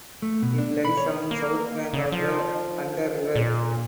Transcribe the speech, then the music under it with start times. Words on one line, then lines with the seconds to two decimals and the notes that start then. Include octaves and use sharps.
It lies on the south bank of the Hunter River.
0.22 A3
0.42 B2
0.58 D4
0.85 B5
0.97 C#5
1.31 A#3
1.93 C#3
2.12 F3
3.36 A#2